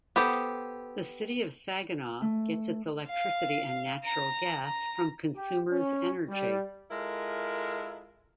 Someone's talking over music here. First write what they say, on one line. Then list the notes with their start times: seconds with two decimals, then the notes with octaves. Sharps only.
The City of Saginaw gets its electricity and natural gas from Consumers Energy.
0.16 B3 G4 A4 C5
2.21 A3
3.09 F5
4.05 A#5
4.65 A#5
5.36 G4
5.72 C#4
6.29 G3
6.91 G#3 E4 F4 A4 A#4